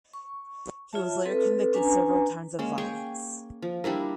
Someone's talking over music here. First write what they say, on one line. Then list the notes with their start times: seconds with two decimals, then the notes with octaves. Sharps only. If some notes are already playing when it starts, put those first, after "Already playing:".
He was later convicted several times of violence.
0.14 C#6
0.93 F4 C#5 E5 A5
1.25 C4 A4 B4
1.73 C#4 D4 B4 G#5 A#5
2.59 G#3 A#3 C#4
2.78 G#4 G5 C#6
3.62 F3
3.84 G3 D4 E4 A#4